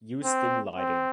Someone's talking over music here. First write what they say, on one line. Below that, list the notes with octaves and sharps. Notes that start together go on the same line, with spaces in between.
Use dim lighting.
C4
C4